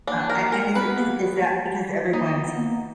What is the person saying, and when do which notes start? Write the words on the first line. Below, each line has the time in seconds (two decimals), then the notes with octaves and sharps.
Uh, a and is it jus is that because everyone's
0.07 A#3 D4
0.30 A#4
0.52 A#4
0.75 B3 B4
0.98 A#3
2.13 A#3 D#4
2.35 B3
2.59 A#3